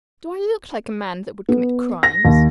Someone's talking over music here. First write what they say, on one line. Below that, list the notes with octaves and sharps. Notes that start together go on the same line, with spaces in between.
"Do I look like a man that would commit crimes?"
B3
A#6
D#2